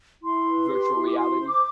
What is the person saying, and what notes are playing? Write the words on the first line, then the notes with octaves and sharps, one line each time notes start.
Virtual reality?
E4 C6
B4
G4
E4
D6
F#4 C6
C5
D6